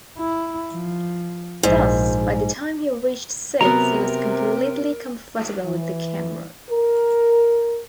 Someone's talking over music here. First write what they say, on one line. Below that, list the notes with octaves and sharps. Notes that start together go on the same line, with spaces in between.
Thus, by the time he reached six, he was completely comfortable with the camera.
E4
F3
A#1 G#2 F3
C3 F#3 B3 A#4 A#5
E3
A#4